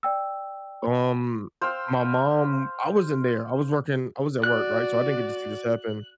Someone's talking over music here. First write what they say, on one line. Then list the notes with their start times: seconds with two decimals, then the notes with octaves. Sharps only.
um, my mom I wasn't there, I was working I was at work, right, so I didn't get to see this happen.
0.03 D5 G5 E6
1.61 C5 F5 G5 E6
4.43 F#4 D5 F#6